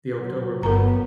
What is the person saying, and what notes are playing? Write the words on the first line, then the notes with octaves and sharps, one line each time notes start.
the October month,
F#3
G1 B3 A#4 A#5